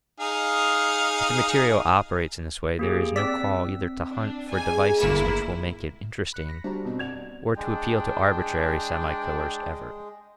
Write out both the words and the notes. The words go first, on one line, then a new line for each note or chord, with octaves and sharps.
If the material operates in this way, there is no call either to hunt for devices which will make it interesting or to appeal to arbitrary, semi-coerced effort.
D#4 G#4 F5
A#3 G4 G#4
C4 D5 E6 B6
D4
G#2 G#4 G#5
G1 D3 A3 A#3 E4 F4 A#4 E7
B5 F#6 C#7
A#6 B6
G3 D4 F#4 C5 A#5
B2 C4 F#4
D5 F#5 G#6 F7
G#3 D4 G5